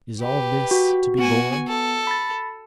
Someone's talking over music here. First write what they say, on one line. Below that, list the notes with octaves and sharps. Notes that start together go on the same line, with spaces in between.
Is all this to be borne?
G4 B4
F#4
B3 F#4 G#5
A4
B5 A6